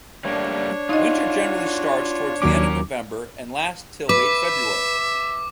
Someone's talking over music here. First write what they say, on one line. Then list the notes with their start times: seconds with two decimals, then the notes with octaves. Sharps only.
Winter generally starts towards the end of November and lasts till late February.
0.25 G3 A3 A#3 D4 C#5
0.89 D#4 F4 F#4 D#5
2.42 D#2 F#3 C#4 A#4 D6
4.09 B4 E5 D6